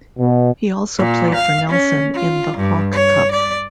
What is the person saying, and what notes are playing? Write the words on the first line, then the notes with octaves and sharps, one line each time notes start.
He also played for Nelson in the Hawke Cup.
B2
A#2
F5
C#4
F4
G2
C#5
D5